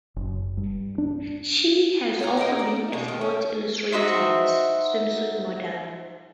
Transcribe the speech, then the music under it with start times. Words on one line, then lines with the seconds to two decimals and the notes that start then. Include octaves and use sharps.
She has also been a "Sports Illustrated" swimsuit model.
0.16 F#1
0.57 G2
0.98 D4
2.20 C#5 F#5 A5 A#5
2.37 A#3 B3 D#4 A#4
2.59 D5
2.93 B2 G#3
3.08 D#3
3.21 C#4
3.92 D#4 F#4 C5 E5